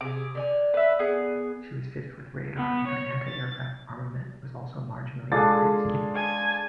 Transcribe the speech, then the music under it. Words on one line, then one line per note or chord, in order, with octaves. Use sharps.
She was fitted with radar and her Anti-Aircraft armament was also marginally increased.
C3 G#4 D6
D3 D5 G#5
B4 E5
B3 G#4
B3
C#5
A6
G#3 D4 F4 G#4 A4 A6
G#5 A5 G#6